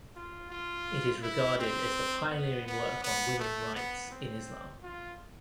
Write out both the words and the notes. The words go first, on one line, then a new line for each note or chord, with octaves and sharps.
It is regarded as the pioneering work on women rights in Islam.
F4
F4
E4
C4
B3
B3
B3
A3
B3
C4
F4